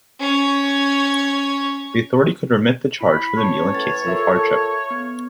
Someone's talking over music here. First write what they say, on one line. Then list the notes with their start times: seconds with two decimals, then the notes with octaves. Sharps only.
The authority could remit the charge for the meal in cases of hardship.
0.20 C#4 C#5
3.01 E4 B5
3.37 C#4 C#5 A5
3.73 A2 B4 A6
4.04 F4 A4 A#4 E5
4.90 B3